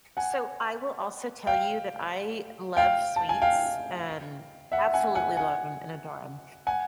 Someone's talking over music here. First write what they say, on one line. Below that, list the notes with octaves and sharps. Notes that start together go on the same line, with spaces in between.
So, I will also tell you that I love sweets, um, absolutely love 'em and adore 'em,
F#5 G#5
F5 G5
F5 G5
A5
G#5
F5 G5
E5 F#5
F#5 G#5
F#5 G#5
F#5 G#5
F#5 G#5